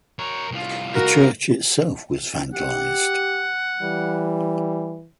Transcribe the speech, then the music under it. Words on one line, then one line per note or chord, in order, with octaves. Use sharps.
The church itself was vandalized.
A#4 C#5
C2 F4
F#4 A#4
G4 F#5
E3 G3